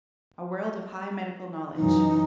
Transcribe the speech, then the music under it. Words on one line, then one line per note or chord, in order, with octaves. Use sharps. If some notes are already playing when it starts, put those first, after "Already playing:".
A World of High Medical Knowledge.
F#2 E3 D#4